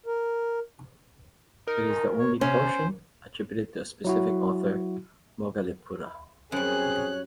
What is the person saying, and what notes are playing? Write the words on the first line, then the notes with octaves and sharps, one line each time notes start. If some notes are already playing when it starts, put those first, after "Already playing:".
It is the only portion attributed to a specific author, Moggaliputta.
A#4
D#4 A#4
C#5
C3 C#4 C5
F#3 E4 F#4
F#2 G3 C4 G#4 C#5 F#6